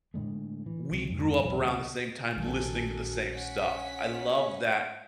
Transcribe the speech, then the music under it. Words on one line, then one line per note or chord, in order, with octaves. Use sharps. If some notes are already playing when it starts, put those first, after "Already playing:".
we grew up around the same time listening to the same stuff." I love that
A2 D3 G#3 A3
E3
C#2 C3
F2 G#2
E1 B1 F#3
D2 C3
A#1 F#2 D#3 F#3 A4 G#5
C#4 F#5 B6